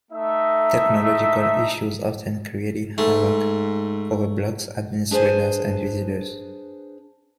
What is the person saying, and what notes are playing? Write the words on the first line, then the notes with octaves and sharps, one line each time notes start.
Technological issues often created havoc for the blog's administrators and visitors.
A3 D#4 E5
G#2 A3
D4 G#4 B4 C5 G#5